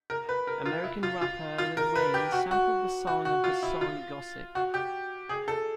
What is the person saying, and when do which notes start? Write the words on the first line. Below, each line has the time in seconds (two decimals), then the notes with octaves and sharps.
American rapper Lil Wayne sampled the song on his song Gossip.
0.10 A#4
0.29 B4
0.47 A#4
0.66 F4
0.84 E4
1.03 F4
1.21 F4
1.58 F4
1.77 A#4
1.95 B4
2.14 G4
2.32 F#4
2.51 F#4
3.07 F#4
3.25 F#4
3.44 F4
3.63 E4
3.81 F4
4.55 F#4
4.74 G4
5.29 G#4
5.48 A4